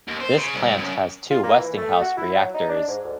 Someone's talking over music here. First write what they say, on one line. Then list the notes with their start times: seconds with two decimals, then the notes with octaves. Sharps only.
This plant has two Westinghouse reactors.
0.08 D#2
0.20 C5
0.38 C#3
0.55 C2
0.78 F#2
1.30 F4
1.43 A#3
1.57 E3
1.76 A3
2.01 F#4
2.17 E4
2.34 F#3
2.55 D#4
2.69 D4
2.88 G#2
3.04 D2